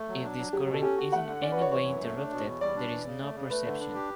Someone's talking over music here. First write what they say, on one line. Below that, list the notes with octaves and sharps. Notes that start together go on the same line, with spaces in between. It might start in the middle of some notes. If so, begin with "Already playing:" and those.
If this current is in any way interrupted, there is no perception.
Already playing: A3
F#3
D4
F#3
F#3 G4
B2
A4
C#4 G4
F#4
A3 F#5
D3
C#4 D5
B4
F#4 C#5
E3 C#5
F#2
A3
D4
B2
E2
G3 D5
D4
E3
C#3
A3
C#3
A3 B4
D3
D4
G4